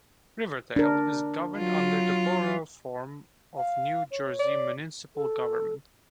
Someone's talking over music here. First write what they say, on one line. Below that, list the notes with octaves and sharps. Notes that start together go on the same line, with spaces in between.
Riverdale is governed under the Borough form of New Jersey municipal government.
D4 A#4
F#3 F4
F5
C#5
D5
A4